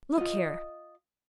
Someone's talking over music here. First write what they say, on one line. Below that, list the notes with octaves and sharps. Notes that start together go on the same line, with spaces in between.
"Look here!"
F4 D#5